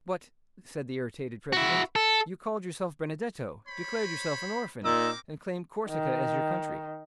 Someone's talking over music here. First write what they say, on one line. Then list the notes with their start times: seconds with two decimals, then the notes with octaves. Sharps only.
"But," said the irritated president, "you called yourself Benedetto, declared yourself an orphan, and claimed Corsica as your country."
1.53 E4 F#4
1.96 A4
3.67 C5 C#5 B5
4.84 A#2 C4 D#4 A#4 D6 E6
5.89 D#3